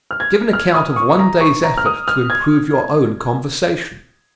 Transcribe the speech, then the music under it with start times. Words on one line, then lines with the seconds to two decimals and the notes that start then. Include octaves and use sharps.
Give an account of one day's effort to improve your own conversation.
0.11 F6
0.20 G#6
0.53 F6
0.75 D#6
0.96 C#6
1.19 A#5
1.41 C#6
1.64 A#5
1.78 F6
1.86 D#6
2.08 F6
2.30 G#6